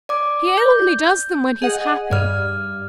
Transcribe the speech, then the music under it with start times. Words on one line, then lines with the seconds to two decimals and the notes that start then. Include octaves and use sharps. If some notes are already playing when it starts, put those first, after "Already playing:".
He only does them when he's happy.
0.09 D5 D6
0.58 G6
1.62 G#4 D#5 F#5
2.11 G2 D5 F6